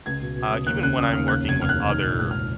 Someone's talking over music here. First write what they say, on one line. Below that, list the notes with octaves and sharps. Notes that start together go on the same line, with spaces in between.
uh, even when I'm working with other,
C#2 G#6
B2
B2
C#2 D#6
D#2 F#6
C#3 F#6
C#3 D#6
D#2 F6
C#3 F#6
F1 G#6
D#2 F6
F#6
F1
D#3 F6
A#1
G#2 F#6
F6